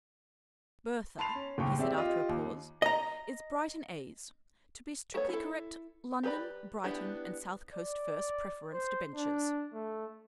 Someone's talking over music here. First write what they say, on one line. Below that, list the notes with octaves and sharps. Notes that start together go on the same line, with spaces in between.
'Bertha,' he said, after a pause, 'is Brighton A's--to be strictly correct, London, Brighton, and South Coast First Preference Debentures.
A5 B5 C6 C7 F7
C#4
F#1 D#2 A2 G5 C#6
G#3 C4 G4 D5 E5
F4 G4 D#5
D#2
D#5 A#5
A3 B3 C#5
E4 A4
G4 G#4 B4 D5 B5
B3 D4 E4 G4
D5
C5
D4
A3